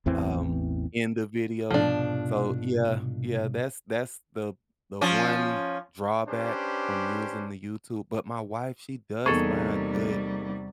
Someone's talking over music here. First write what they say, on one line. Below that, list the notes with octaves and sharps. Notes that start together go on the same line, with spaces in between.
um, in the video. So, yeah, yeah, that's that's the the one drawback from using the YouTube, but my wife, she does find good,
A1 E2 E3 C4
C2 G#2 B2 F3 D4
F3 C#4
C#4 D4 G4 B4 C5
E2 C3 G3 A#3 D#4 G#4 A4 C#6